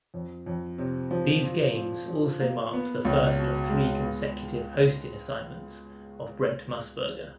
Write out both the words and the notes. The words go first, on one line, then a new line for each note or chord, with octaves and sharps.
These games also marked the first of three consecutive hosting assignments of Brent Musburger.
F2
F2
C3
F3
A#2
A#2
F3
A#3
B3
C#2
B2
G#3
B3